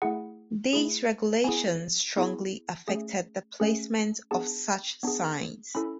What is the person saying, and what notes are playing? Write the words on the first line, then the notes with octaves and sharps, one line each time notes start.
These regulations strongly affected the placement of such signs.
A3 E4 G#4 F#5
A3 E4 G#4
B3 E4 G#4 G#5
B3 E4 G#4
A3 C#4 G#4
A3 C#4 G#4
B3 D4 G#4 A5
B3 D4 G#4
C#4 E4 A4 B5